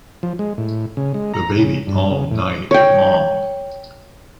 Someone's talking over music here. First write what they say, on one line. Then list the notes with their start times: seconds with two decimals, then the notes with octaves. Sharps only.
The baby all night long.
0.23 F3
0.39 G#3
0.58 A2
0.97 C#3
1.14 G#3
1.34 A#5
1.57 C#3
1.87 G2
2.11 C#3
2.32 A2
2.71 C#5 G5